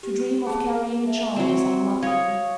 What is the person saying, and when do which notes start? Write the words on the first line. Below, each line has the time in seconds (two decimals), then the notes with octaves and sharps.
To dream of carrying a child is unlucky.
0.03 G4
0.47 G#4 A5
1.07 E5
1.36 F#3 C4
2.03 C#5 F5 D#6